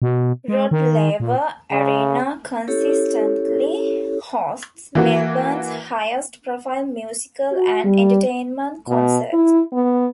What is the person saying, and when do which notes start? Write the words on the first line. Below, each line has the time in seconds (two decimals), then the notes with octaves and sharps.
Rod Laver Arena consistently hosts Melbourne's highest-profile musical and entertainment concerts.
0.02 B2
0.48 G#3
0.71 D#3
1.20 A#2
1.71 C#3
2.67 C#4 E4 G4 A4 C#5
4.95 E3 A#3 F#4
7.52 F#4
7.85 G3
8.88 B2
9.33 E4
9.73 B3